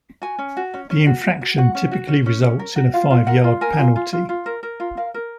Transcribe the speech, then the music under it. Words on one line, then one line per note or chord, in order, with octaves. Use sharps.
The infraction typically results in a five-yard penalty.
F#4 G#5
C#4
F#4
C#4
C#4
F#4
F#4
F#4
F#4 F#5
C#4
F#4
C#4
C#4
C#4
A#4
F#4
F4 F5
F4
A#4 F#5
F4
A#4 G#5
F4
F4
F4
F4
A#4
A#4
F4
A#4 F5
A#4